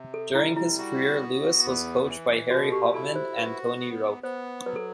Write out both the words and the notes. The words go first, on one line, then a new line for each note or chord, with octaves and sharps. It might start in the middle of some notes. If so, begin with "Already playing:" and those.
During his career Lewis was coached by Harry Hopman and Tony Roche.
Already playing: C3
A4
G3 E4
E4
F#4
B3
E2
E3
B2 F#4
A4
G4
E4 A4
C5
F#4 B4
B3
B3 C5
F#3 B4
A4